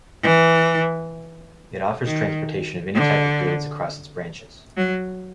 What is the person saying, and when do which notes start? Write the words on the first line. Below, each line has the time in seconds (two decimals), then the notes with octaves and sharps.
It offers transportation of any type of goods across its branches.
0.23 E3
2.05 D#3
2.95 D3
4.77 F#3